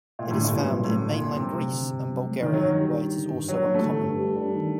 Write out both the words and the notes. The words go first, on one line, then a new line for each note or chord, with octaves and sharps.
It is found in mainland Greece and Bulgaria, where it is also uncommon.
A#2
A2 D3
G2 A#2
A2
A#2 F#3
A2 A3
D3
A#2
G2
C3 F#3
A3
D3
G2
F#3
A3
D3 D#3
F#3
G2 D#3
G3
D4
D3
G2
F#3 G3
D4
A3
D3
G2
G3
D4
D#3